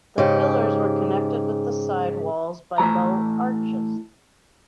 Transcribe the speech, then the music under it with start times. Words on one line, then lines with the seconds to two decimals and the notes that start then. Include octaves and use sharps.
The pillars were connected with the side walls by low arches.
0.18 G#2 C#3 G4
2.78 A2 E3 F#3 A#5